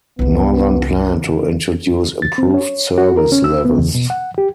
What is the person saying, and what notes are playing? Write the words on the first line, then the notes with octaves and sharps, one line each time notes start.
Northern plan to introduce improved service levels.
C2 B3 E4
A6
C4
C#5
F#4
A#4
C#4
E6
B3
E2
B2
F#5
G4